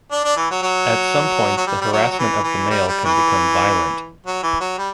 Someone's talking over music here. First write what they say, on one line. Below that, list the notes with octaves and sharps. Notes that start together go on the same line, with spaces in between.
At some points, the harassment of the male can become violent.
D4
D4
E3
F#3
F#3
F#3
G3
G3
F#3
F#3
E3
E3
G3
G3
E3
F#3
E3
F#3
G3